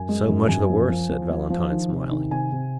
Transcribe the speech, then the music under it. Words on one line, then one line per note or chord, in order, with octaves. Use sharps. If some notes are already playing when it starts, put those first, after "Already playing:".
"So much the worse," said Valentine, smiling.
Already playing: F#2 G#5
G#3
F#2
F#2 G#5
F3
F3
F3
F3
F3
D#3
C3
D#3
C3 G#5
C3